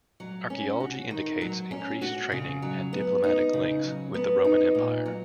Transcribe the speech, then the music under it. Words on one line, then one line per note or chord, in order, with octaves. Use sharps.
Archaeology indicates increased trading and diplomatic links with the Roman Empire.
F#3
C#4
F#4
D#3
F#3
C#4
F#4
C#3
F#3
B3
D#4
C#3
F#3
B3
D#4
A#2
F#3